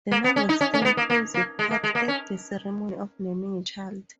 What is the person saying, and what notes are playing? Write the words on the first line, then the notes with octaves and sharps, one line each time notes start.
The navel-string plays a part at the ceremony of naming a child.
A#3
B3
C#4
D#4
C#4
C#4
A#3
B3
A#3
A#3
A#3
G#3
A#3
G#3
A#3
C#4